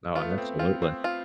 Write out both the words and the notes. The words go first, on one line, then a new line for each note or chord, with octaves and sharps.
No, and absolutely.
B3 F4
A3
B3
C4
C4 F4
C4
F4